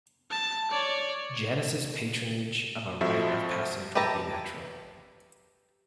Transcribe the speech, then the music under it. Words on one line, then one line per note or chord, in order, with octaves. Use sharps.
Janus's patronage of a rite of passage would be natural.
A5
C#5 D5
F2 F3 F#4 A4 C5 E5
G4 B4 E5 A5 A#5